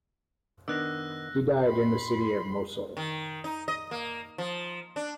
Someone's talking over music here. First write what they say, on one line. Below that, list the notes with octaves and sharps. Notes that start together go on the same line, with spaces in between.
He died in the city of Mosul.
D#3 B3 D4 E6 F#6 A#6
B5 C6
D#3
D#4
D#5
A#3
F3
D4